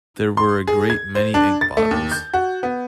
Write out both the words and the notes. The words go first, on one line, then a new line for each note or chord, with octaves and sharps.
There were a great many ink bottles.
C6
G#4
G#6
C5
D4
A6
A3
D#2
G6
F#4
B3